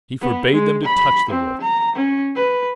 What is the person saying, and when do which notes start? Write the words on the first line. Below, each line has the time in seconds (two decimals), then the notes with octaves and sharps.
He forbade them to touch the wolf.
0.21 B3
0.53 G#3
0.85 B5
1.29 C4
1.61 A#5
1.96 C#4
2.36 B4